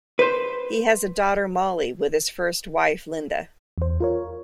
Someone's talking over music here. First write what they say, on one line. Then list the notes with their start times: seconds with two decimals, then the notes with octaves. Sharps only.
He has a daughter, Molly, with his first wife, Linda.
0.19 B4 C5
3.78 E2 C5
4.00 F4 A#4 C#5